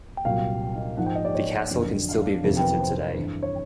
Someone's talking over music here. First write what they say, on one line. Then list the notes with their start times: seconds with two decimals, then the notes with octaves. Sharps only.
The castle can still be visited today.
0.25 C2 A#2 F#3 F5
0.97 G#2 F3 F#5
1.06 G5
1.15 D#5
1.25 D5
1.35 C#5
1.71 F2 D3 F#3
2.44 F2 C3 D#3 F#3 A#4
2.61 B4
2.80 C5
3.16 G2 E3
3.43 C#5